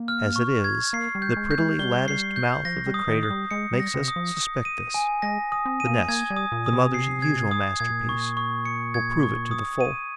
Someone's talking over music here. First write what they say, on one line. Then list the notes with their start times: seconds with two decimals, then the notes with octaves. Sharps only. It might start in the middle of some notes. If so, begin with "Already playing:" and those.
As it is, the prettily-latticed mouth of the crater makes us suspect this; the nest, the mother's usual masterpiece, will prove it to the full.
Already playing: A#3
0.08 F6
0.36 C#6
0.64 G#6
0.93 A#3 C7
1.15 G3
1.22 G6
1.36 G#3
1.51 G6
1.58 G#3
1.79 G3 G7
2.08 C7
2.36 G6
2.65 F3 A#6
2.86 G3
2.94 D#6
3.08 D#3
3.23 D#6
3.30 G3
3.51 G#3 C#7
3.73 G3
3.80 A#6
3.94 C3
4.08 D#6
4.16 F3
4.37 D#6
4.65 D#7
4.94 G#5
5.22 G#3 A#6
5.52 D#6
5.66 C4
5.80 D#7
5.86 A#3
6.08 A#3 G#6
6.30 G3
6.37 D#6
6.52 A#2
6.66 D#6
6.73 C3
6.94 C7
7.22 G#6
7.51 D#6
7.80 A#2 G#6
8.09 C#6
8.37 C#6
8.65 C#7
8.94 G#6
9.23 C#6
9.51 D#6
9.81 D#7